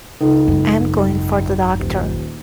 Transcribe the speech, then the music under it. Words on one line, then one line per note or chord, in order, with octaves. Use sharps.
I'm going for the doctor.
C#2 D#4 A4
G#1 F#2
D#1